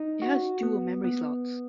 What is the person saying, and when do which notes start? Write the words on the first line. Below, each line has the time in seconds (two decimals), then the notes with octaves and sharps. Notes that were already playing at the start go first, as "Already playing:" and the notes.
It has dual memory slots.
Already playing: D#4
0.22 F#4
0.63 B3
1.04 B3